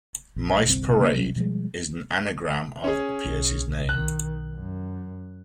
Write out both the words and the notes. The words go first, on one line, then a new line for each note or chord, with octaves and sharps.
"Mice Parade" is an anagram of Pierce's name.
A#1
G1 C2 C4
C#3 A#3
F#3 G3 C#4
B2 F3 G3 G#3
C#4 G#4
B1
D#3 F#6
F#2